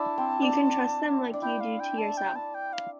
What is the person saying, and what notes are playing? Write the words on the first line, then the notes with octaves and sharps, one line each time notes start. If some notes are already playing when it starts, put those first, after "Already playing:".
You can trust them like you do to yourself.
Already playing: D4 E4 A5
C4
D4
D4
E4 G5
F5
G5
A5
G5
A5
G5
F5